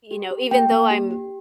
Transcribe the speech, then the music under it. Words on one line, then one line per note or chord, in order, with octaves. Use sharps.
m you know, even though I'm
G4
G4
A#3 G5
A#3
G4
G4